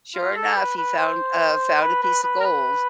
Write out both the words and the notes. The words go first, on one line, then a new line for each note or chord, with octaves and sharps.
sure enough, he found, uh, found a piece of gold.
F4
A4
B4
B4
C5
B4
B4
B4
A#4
B4